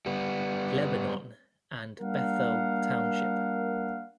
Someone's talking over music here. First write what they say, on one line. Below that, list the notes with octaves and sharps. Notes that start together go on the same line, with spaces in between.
Lebanon, and Bethel Township.
G3 B3
G3 A#3 D4 A#4 F5 F#5